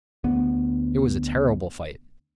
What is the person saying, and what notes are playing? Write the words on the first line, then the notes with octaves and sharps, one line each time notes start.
It was a terrible fight!
D2 B3